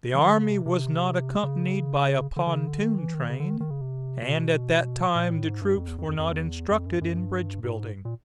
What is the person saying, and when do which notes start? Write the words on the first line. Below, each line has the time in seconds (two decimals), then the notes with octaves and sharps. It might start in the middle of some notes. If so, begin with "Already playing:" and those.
The army was not accompanied by a pontoon train, and at that time the troops were not instructed in bridge building.
0.15 E3
0.19 D#3
0.30 D3
0.40 C#3
0.50 C3
0.66 C3
1.43 C#3
2.36 D3
2.47 D3
2.52 C#3
2.67 D3
2.83 D#3
2.98 E3
3.14 D#3
3.30 C#3
3.40 D3
3.50 D#3
3.60 D#3
3.70 C#3
3.81 C3
4.22 B2
5.15 A#2
5.31 A2
5.47 G#2
5.62 G2
5.77 F2
5.87 E2
5.98 F2
6.09 F2
6.19 F2
6.29 E2
6.71 F2
6.86 F#2
7.01 F#2
7.17 G2
7.64 G#2
8.05 A#2